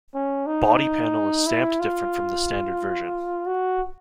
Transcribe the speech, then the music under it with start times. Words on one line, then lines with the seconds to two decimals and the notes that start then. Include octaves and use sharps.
Body panel is stamped different from the standard version.
0.14 C#4
0.46 D#4
1.47 E4
1.80 F4
3.47 F#4